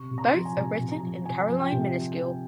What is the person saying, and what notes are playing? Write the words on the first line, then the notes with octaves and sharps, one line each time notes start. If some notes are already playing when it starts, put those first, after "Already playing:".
Both are written in Caroline minuscule.
Already playing: C3 C#6
C3
A#5
C6
F3
G#5
C3 A#5
C3
A#5
F3
C3 G#5
F3
G5
C3